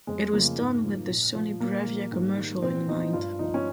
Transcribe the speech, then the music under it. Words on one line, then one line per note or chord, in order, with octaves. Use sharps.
It was done with the Sony Bravia commercial in mind.
F2 G#3
C#3 F3 A#3
G#2
F3
A#2
F3
A#2 A#3
F3
G#2
D#3 G3
A#2 C4
F3 D#4
G2 F4
F3 D#4
C#4